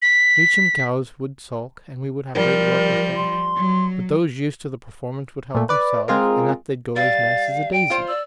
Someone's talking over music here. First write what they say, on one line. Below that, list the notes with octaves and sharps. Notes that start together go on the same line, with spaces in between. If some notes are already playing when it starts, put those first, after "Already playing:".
New-chum cows would sulk, and we would have great work with them; but those used to the performance would help themselves, and up they'd go as nice as a daisy.
B6
F3 G3 A#4
C6
F#3
A#2 A3
B4 D5
G#3 C4 F4 G#4 A#4
G3 F5 A6
G5 D7
F4 C5
D5 E6